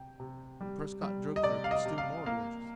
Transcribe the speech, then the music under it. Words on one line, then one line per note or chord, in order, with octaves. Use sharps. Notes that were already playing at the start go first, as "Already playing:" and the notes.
The Prescott drug clerk was still more gorgeous.
Already playing: C3 G5
C3
G3
G3
D#5
C3 D5
F5
D#5
C3
F5
A#3 F5